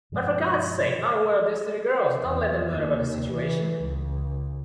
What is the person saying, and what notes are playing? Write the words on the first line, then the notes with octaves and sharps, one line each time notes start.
But for God’s sake! Not a word of this to the girls- don’t let them learn about the situation.
G2 B2 F3 G#3
E2
D#2
E3
C#2